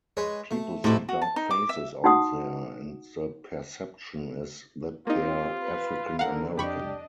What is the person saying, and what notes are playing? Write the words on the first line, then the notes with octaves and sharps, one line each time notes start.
People see dark faces out there, and the perception is that they're African-American.
G#3 B4 C#5
A3
B1 A2 C3 E4 D6
F#4
A5
D#4
D6
E5
D#4 F#4 F#5 D#6
A#3 C4 D#4 F4 G4
B4
D3 A#4 F5 F#5
F2 D4 G4 D#5 B5 C#6